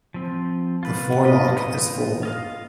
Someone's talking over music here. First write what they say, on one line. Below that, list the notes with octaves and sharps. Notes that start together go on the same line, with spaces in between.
The forelock is full.
F3 C4
F4 B4
F4 B4 D#5
F4 D#5 F5